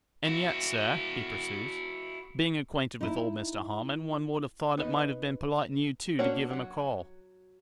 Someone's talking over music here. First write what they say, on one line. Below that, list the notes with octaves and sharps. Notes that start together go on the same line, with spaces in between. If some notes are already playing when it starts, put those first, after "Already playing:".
'And yet, sir,' he pursues, 'being acquainted with old Mr Harmon, one would have thought it might have been polite in you, too, to give him a call.
E4 F#4
D#4 E4
B3 D#4 B4 C#5 D#5
A#3 C#4 D4 F#4 C#5
F#3 F#4